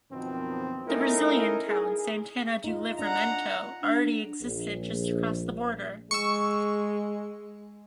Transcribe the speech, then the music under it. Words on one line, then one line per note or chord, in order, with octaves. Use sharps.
The Brazilian town Santana do Livramento already existed just across the border.
F#2 B2 D#3 F3 B3 C4
A3 C#4 D#4 E4 A4 A#4
G#4
D#4 F4
D4 F#5 A#5
D4
A#1
G#3 C#6 E6